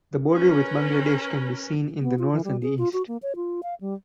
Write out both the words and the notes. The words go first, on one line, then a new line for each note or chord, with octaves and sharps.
The border with Bangladesh can be seen in the north and the east.
C#4 A#4 B4
B3
F4
E3
G3
G#4
F4
F#4
A#3
C#5
F4
F5
G3